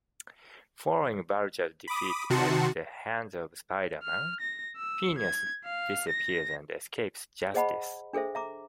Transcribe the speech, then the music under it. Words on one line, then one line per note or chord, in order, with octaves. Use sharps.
Following Vulture's defeat at the hands of Spider-Man, Phineas disappears and escapes justice.
B5 D6 D#6
C3 D#3 F#4 A5 C6 C#7
F6
A#6
E6
G#6
F5
A#6
G#4 C5 D#5 F#5 A5 B5
D4 G#4 A4 C5 E5
E5 A#5 D6